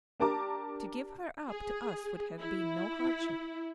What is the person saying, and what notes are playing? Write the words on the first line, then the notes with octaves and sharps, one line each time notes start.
"To give her up to us would have been no hardship."
D4 G4 A#4 A5 A#5 D6
G#4
E4